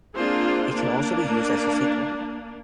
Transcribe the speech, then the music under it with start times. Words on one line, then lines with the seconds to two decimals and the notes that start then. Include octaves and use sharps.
It can also be used as a sequel.
0.16 A#3 C4 D4 F4 G#4 C5
0.73 A#3 D4